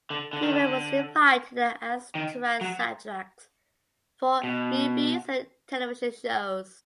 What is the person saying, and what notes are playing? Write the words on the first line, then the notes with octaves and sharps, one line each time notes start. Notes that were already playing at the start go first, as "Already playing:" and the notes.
Hubert was invited and asked to write soundtracks for movies and television shows.
D3
D3
D#3
D3
D#3
F#3
B2